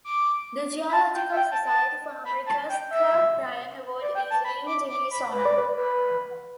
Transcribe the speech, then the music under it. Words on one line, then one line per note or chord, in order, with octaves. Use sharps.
The Geological Society of America's Kirk Bryan Award is named in his honour.
D6
B5
A5
G5
E5
G5
A5
A5
B5
A5
G5
E5
D5
G5
A5
B5
D6
D6
B5
B4
D5
B4
B4